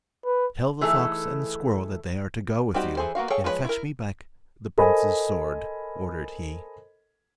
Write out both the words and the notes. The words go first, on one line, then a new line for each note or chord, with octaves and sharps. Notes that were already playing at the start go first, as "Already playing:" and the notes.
'Tell the fox and the squirrel that they are to go with you, and fetch me back the prince's sword,' ordered he.
B4
E3 A3 D#4 G#4 A4
G3 C4 D#4 F#4 G4
E3 G#4 A4 C5
A#3 B3 F#4 F5
G#4 A4 C#5 F5 G5
F3 G#3 C4 B4 C#5
E4 A#4
A4 A#4 C5 D#5 G#5 B5